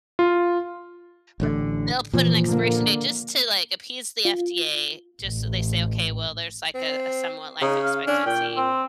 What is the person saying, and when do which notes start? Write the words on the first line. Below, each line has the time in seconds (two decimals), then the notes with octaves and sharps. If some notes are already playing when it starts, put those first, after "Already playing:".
but they'll put an expiration date just to, like, appease the FDA just so they say, "Okay, well, there's, like a, somewhat life expectancy."
0.19 F4
1.40 A1 A2 D3
2.13 A#2 E3 F3
2.46 D3 A#3
4.25 F4
5.21 A1
6.75 C4
7.62 C#3 D#4
7.83 F5
8.07 C#4 D4
8.26 A#2 G5
8.57 C4